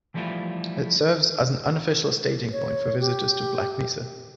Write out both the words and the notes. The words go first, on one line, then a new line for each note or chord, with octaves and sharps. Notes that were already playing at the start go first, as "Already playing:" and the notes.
It serves as an unofficial staging point for visitors to Black Mesa.
E3 F3 G3 A3 E4 F4
C#5
G4